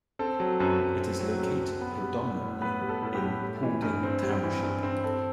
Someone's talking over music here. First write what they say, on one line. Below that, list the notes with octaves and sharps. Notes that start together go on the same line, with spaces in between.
It is located predominantly in Paulding Township.
C4 A4
F#3
F#2 B4
F#2
C4
F#3
F#2
F#2
B3
G3
A2
A2
B3 B4
G3
A4
A2 A4
G4
A2
G3
E3
G2
C4
G3
E3
G2
C4
C4 A4